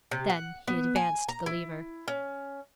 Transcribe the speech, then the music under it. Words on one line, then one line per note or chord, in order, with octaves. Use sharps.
Then he advanced the lever.
C3
F#5
B3
G#5
A#5
E4
C#4